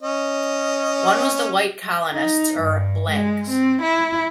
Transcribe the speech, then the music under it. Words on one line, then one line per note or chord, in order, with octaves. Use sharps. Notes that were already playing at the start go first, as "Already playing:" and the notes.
One was the white colonists, or "blancs".
C#4 D#5
D#4
G2
G#3
C4
E4